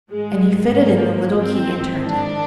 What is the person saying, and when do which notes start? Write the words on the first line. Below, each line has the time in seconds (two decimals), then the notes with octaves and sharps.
And he fitted in the little key and turned it.
0.11 G#2 D#3 G#3
0.77 A#3
1.41 G#2 D#3 C4
2.06 D4